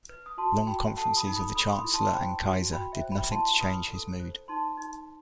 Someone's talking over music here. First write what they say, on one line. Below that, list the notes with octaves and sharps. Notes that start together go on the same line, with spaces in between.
Long conferences with the Chancellor and Kaiser did nothing to change his mood.
B4
D#6
F#4 A5 C6
F#4 G5 B5
A4 F#5 A5
B5 D#6
D#4
B5 D#6
A4 B5 D#6
C6
B5 D#6
E4
A5 C6
C5 G5 B5
F#4
F#4 G5 B5
E5 G5
C5
G5 B5
E4 A5 C6
B4 B5 D#6
A4
C5
D#4 A5 C6
D#4